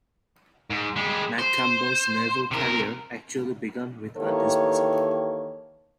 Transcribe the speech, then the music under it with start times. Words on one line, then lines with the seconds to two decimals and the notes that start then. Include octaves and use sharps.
McCampbell's naval career actually began with a dismissal.
0.70 G#2
0.96 G3 G#3
1.39 C5
2.51 C3 A#4
4.17 D#3 E3 A#3 G4 A4 C#5